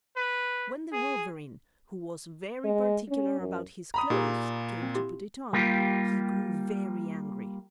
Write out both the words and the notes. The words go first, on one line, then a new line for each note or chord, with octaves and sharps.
When the wolverine, who was very particular about his clothes, came to put it on, he grew very angry.
B4
G#4
G#3
C#4
F#2
A#5 B5 D#6
A#2 D#4 G4 G#4
C4
E4 G4 C6
G3 A#3 F4 G4